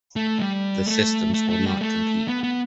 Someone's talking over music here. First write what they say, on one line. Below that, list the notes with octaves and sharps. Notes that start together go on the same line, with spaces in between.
The systems will not compete.
A3
G3
A3
A3
A3
G3
A3
B3
B3